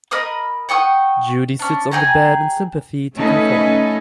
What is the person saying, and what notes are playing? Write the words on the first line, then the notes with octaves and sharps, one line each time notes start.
Judy sits on the bed in sympathy to comfort him.
A#4 D#5 B5 D#6
F#5 G5 C#6 D#6
C#4 D4
G#4 G5 G#5 A#5
A3 C#4 D#4 A4 B4